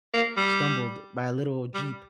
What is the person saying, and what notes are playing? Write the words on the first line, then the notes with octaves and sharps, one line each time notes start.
stumbled by a little jeep,
A#3
G3
G3